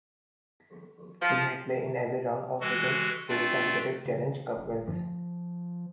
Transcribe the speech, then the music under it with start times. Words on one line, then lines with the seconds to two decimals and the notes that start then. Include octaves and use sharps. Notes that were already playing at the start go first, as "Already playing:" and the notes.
He had played in every round of Wigan's eight consecutive Challenge Cup wins.
1.21 F3
2.61 E3 G#3 F#4 A4
3.29 A3 C4 D4 F4 D5
4.05 C#3
4.57 F#1
4.88 F3